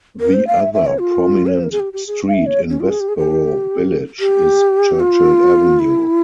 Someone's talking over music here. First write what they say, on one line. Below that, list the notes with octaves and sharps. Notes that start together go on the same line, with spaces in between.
The other prominent street in Westboro Village is Churchill Avenue.
A#4
C5
F5
E5
E5
C#5
F4
C#5
C5
A#4
G#4
G4
G4
G#4
F5
E5
C#5
C#4
F4
G#4
G4
G#4
G4
G4
F4
E4